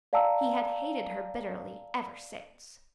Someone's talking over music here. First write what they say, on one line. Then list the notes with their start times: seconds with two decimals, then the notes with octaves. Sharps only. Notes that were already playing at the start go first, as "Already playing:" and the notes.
He had hated her bitterly ever since.
0.13 D5 F5 G5 A5 A#5 E6